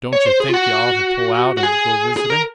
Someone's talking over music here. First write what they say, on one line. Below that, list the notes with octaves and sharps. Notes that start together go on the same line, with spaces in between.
"Don't yuh think yuh ought to pull out and go visiting?"
C#5
C5
G#4
F4
F#4
F#4
G#4
G#4
A#4